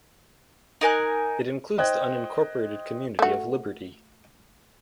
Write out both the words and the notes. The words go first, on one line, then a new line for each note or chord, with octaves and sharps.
It includes the unincorporated community of Liberty.
D#4 A#4 G#5 F#6
C5 D#5 G5 F#6 G#6
A3 F#4